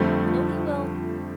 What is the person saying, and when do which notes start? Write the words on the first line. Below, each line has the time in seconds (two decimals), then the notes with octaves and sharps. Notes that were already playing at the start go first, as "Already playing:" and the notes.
I know he will!
Already playing: F2 D3 F3 G3 A3 C4